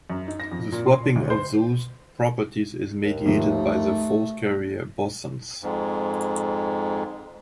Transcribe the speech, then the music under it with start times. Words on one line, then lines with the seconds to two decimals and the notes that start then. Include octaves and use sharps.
The swapping of those properties is mediated by the force carrier bosons.
0.10 F#2
0.28 D#4
0.40 A#6
0.52 F2
0.72 A#2
0.86 C6
1.03 D4
1.16 D2
1.30 C5
3.05 D#2
3.26 G#2 F3 A3
5.63 F2 G#2